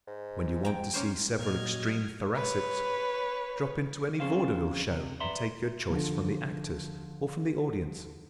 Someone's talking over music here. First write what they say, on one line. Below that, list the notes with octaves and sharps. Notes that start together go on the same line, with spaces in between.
When you want to see several extreme Thoracics, drop into any vaudeville show and take your choice from the actors or from the audience.
G#2
G5 A#5
A#3 C#4 C5
A#2 F#3 D#5 F6 G#6
B4 C#5
F2 D3 C#4 G#4 C5 F5
C3
B4 D5 E5 A#5 C6
D3 F3